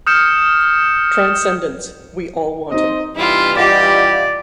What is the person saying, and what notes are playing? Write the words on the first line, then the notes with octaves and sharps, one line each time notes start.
Transcendence, we all want it.
D#6 F6 G6 C#7 E7
C4 D#4 C5 D#5
G2 E3 G3 E4 F4
F4 G4 D5 D#5 F#5